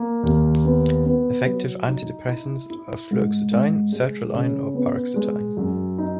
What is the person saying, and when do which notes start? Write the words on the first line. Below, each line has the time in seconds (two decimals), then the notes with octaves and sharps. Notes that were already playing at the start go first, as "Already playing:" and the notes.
Effective antidepressants are fluoxetine, sertraline, or paroxetine.
Already playing: A#3
0.23 D#2
0.65 B3
1.06 B3
1.46 F#3
1.88 D#4
2.28 E4
2.70 E4
3.11 G#2
3.52 G#2
3.92 G#3
4.34 C#3
4.74 B3
5.16 G#3
5.57 F#2
5.98 D#4